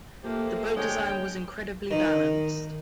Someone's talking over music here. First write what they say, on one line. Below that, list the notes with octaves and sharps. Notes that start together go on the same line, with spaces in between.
The boat design was incredibly balanced.
F3 A3 A#3 G4
D3 G#3 C#5 G5
D#3